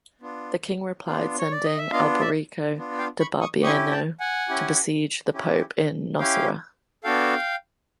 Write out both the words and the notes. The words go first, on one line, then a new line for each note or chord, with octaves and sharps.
The King replied sending Alberico da Barbiano to besiege the pope in Nocera.
B3 D4 F4
B3 D4 F4
C#5
D5
D#5
E5
B3 D4 F4 D#5 F5
D5 E5
B3 D4 F4
F5 G5
B5 C#6
C#6 D#6
C#4 E4 G4 C#6 D#6
G5 A5
F#5 G#5
C#4 E4 G4
C#4 E4 G4
C#4 E4 G4 F5 G5
B3 D4 F#4 A4 F5 G5